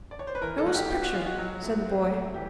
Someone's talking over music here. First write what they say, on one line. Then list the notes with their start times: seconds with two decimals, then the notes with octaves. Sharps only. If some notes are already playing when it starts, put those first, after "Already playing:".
'Show us a picture,' said the boy.
0.11 D5
0.19 C#5
0.27 C5
0.35 B4
0.42 E3 A#4
0.58 A4
0.66 G#2 F#4
0.75 G4
0.90 B3 G4
1.02 F#4
1.14 G#3 F4
1.26 F#4
1.38 F#3
1.62 A2
1.86 C4
2.10 A3
2.34 E3 G4